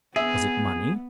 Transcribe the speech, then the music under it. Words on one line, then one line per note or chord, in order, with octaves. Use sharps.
Was it money?
B3 G#4 E5